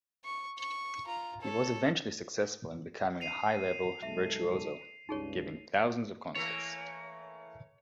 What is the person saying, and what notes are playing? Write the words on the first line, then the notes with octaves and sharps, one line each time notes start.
He was eventually successful in becoming a high-level virtuoso, giving thousands of concerts.
C#6
C#6
F4 A#5
A4 C#5
C7 D#7 F7
B1 G#3 A4 E5
C#2 G2 D#4 G#4 C#5
E3 A3 A#3 C#5